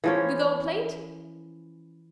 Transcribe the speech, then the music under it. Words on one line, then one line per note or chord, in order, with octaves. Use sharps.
"The gold plate?"
E3 F3 C#4